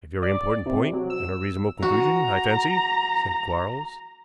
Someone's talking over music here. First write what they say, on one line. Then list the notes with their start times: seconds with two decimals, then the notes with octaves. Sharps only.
"A very important point, and a reasonable conclusion, I fancy," said Quarles.
0.22 D5
0.66 C3
0.93 F#3
1.10 E6
1.82 F#4 A#5